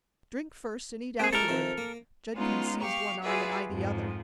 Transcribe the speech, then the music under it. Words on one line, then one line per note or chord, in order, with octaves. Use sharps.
"Drink first and eat afterward." Judkins seized one arm and I the other.
A#3 C4 G4 G#4
G#3 E4 G4 A4 A#4
C3 D#3 F3
A#3
G#3 B3 C#4 D#4 F4
G4 F5 C#6
F4 F#4 G#4 B4 D5 E5
F2 G#2 F3